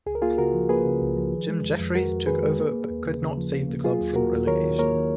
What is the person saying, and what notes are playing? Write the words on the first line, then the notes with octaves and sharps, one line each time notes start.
Jim Jefferies took over but could not save the club from relegation.
C#2 G#4
A#4
A#3 F4 G#4
C#3 F#4 A#4
F3
A#3 G#4 B4
C#3
C#2
F3
D#3
G#3
F2
F2
F2 F#4 A#4
F2
D#3 G#4 B4
G#3
A#3
A#3
D#2
C#3
C#3
F3
C#3
A#3
F#3 F4 G#4
D#2
A#3 F#4 A#4
D#2
D#3 A#4 C#5
D#3
A#3 A#4 C#5
D#3